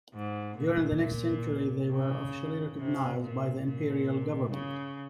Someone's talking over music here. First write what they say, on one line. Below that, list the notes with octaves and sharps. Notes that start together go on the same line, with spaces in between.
During the next century, they were officially recognized by the imperial government.
G#2
A#2
C#3
C3
A#2
A#2
C#3